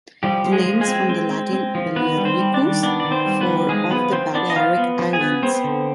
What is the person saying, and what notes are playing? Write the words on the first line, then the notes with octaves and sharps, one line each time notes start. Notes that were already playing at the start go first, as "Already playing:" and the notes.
The name is from the Latin "Baliaricus" for "of the Balearic Islands".
F3 G3 G4
F3
G#3 G#4
F3
G#3 G#4
C4
C4
C4
C4
F3
D#3 B3 B4
G3
C4 C5
G3
D4 D5
D#3
B3 D4 D5
D#3 D5
C4 C5
G3
B3 B4
D#3
F3 G#3 G#4
F3 B3 B4
F3 C4 C5
B3 D4 D5
D#5
F3 F4 F5
B3
F3
G#4 G#5
B3
B3 C4 C5
D3